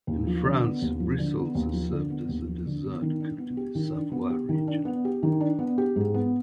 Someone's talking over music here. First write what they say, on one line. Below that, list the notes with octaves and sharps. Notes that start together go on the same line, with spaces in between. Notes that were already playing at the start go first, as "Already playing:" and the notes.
In France, rissoles are served as a dessert cooked in the Savoy region.
D#2
F3
D3
B3
D#2
F3
D3
B3
D#2
F3
D3
B3
D#2
F3
D3
B3
D#3
D4
B3
G4
D#3
D4
B3
G4
D#3
D4
B3
G4
D#3
D4
B3
G4
G#2
B3